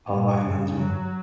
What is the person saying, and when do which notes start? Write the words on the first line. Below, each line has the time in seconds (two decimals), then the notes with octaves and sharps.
Oh, I imagine.
0.13 A#2
0.46 C#3
0.79 F#3